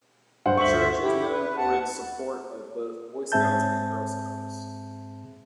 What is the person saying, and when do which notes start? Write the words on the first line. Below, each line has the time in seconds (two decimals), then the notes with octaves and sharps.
The church is known for it support of both Boy Scouts and Girls Scouts.
0.46 G2 C5 F#5
0.57 D2 C5 E5 C#6 F#7
1.02 E4 G4
1.29 B4
1.57 D#2 F#5 A5
3.32 G#2 C4 G#4 E5 A5 G6